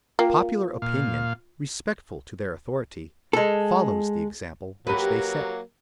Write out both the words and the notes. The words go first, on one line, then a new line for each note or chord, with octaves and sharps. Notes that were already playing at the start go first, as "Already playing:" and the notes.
Popular opinion, respectful to their authority, follows the example which they set.
A#3 F4 A#4 G5
A#2 F5
G#3 A4
F#3 A#3 G4 A#4 B4